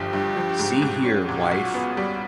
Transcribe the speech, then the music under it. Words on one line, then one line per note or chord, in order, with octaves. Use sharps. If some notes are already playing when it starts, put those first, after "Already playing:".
See here, wife!
Already playing: G1 D3 F3 G4
G2
F3
G#2
G#2
C#4
A#2 F#4
B1
B3
G3